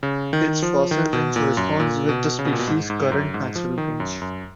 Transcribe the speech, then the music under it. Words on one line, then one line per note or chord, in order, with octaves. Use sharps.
Its fossil range corresponds with the species' current natural range.
C#3
D#3
F3
D#3
B2
A#2
F#2
A#2
B2
C#3
B2
A#2
B2
G#2
G#2
F#2
G#2
F3
D#3
F#2
F#2